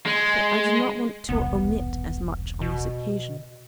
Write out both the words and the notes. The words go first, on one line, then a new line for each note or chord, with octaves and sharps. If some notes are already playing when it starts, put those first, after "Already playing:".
But I did not want to omit as much on this occasion.
G#3
E1 C2 B3
B2